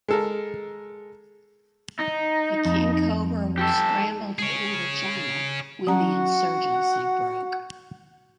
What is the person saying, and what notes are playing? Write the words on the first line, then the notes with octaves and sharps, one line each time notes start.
The Kingcobra were scrambled to Indochina when the insurgency broke.
G#3 A4 A#4
D#4
F2
G4 A4
G#4 C#5
F#3 C#4 F#4 F#5 A#5